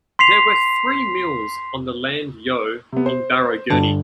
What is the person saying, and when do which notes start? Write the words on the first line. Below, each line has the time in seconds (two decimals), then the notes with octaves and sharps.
There were three mills on the Land Yeo in Barrow Gurney.
0.19 C6 B6 C7 F7
2.92 C3 B3
3.06 C5
3.70 G2 D3 A5